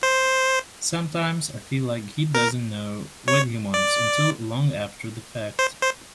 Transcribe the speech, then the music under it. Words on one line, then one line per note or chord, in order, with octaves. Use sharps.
Sometimes I feel like he doesn’t know what he wants until long after the fact.
C5
A#4
C#5
D5
C5
C5